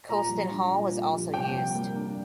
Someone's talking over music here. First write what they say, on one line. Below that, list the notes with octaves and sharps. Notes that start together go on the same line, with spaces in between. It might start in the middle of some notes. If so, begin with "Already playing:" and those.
Colston Hall was also used.
A#2 A#5
G3
D4
A#2
A#2
G3
C3 G5
G3
A#3
D4